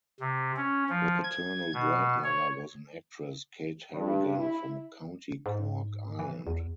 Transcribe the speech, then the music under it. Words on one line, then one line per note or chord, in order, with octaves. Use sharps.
Her paternal grandmother was an actress, Kate Harrigan, from County Cork, Ireland.
C3
C#4
F3
G#6
B2
C#5
G2
E4
G#2
E3
E2